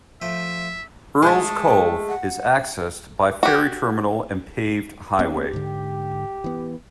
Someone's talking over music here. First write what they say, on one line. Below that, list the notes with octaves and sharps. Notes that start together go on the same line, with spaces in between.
Earls Cove is accessed by ferry terminal and paved highway.
F3 A3 E5 G5
G#3 A3 A5
F#5
F#4 G4
A#3 B3 C#4 G4
G#2 D3
E3 B3